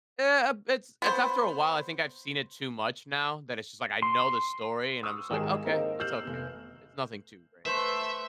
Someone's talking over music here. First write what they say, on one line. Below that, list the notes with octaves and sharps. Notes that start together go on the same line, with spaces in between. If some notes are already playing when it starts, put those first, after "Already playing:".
Eh, um, it's it's after a while, I think I've seen it too much now that it's just like, know the story and I'm just like, "Okay, it's okay. It's nothing too great."
B3 B4 C5
C6
C#6 D#6 E6
G#1 D#3 G#3 G#4 A#4 E7
A#3 C4 D#4 A#4 D#5
E6 F6 G6 C7 E7 F#7
F1 B3
A3 B4 C5 E5 C6